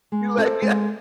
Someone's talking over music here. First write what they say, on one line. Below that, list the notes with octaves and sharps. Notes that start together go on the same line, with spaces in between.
you, like yeah.
G#3
C4 F4 A4
G#3